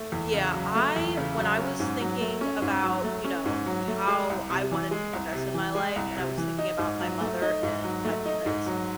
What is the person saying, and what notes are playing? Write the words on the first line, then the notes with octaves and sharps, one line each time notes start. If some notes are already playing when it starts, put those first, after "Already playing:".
Yeah, I when I was thinking about, you know, how I wanted to progress in my life, and I was thinking about my mother, and my parents.
Already playing: A3
E2
C#3
F#3
A3
E2
C#3
F#3
C#4
G#2
F#3
A3
C#4
G#2
F#3
A3
C#4
G#2
F#3
A3
G#3
C2
C3
E3
G#3
C2
C3
E3
G#3
C2
C3
E3
D#4
G#2
F#3
A3
D#4
G#2
F#3
A3
D#4
G#2
F#3